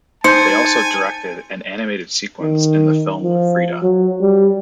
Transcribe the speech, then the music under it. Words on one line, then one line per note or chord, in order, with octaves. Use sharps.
They also directed an animated sequence in the film Frida.
D#4 C5 G#5 A5 G6 C#7
D#3
F3
F#3
G3